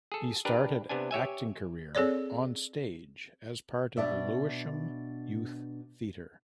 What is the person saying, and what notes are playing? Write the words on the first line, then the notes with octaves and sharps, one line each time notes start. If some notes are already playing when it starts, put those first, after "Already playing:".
He started acting career on stage as part of Lewisham youth theatre.
G#4 A4
D4 G4 A#4 B4
C3 B3 D4 G#5
G4 C#5 E5 G#5
C4 G#4 A4 C#5 D5
B2 D4 D5 E5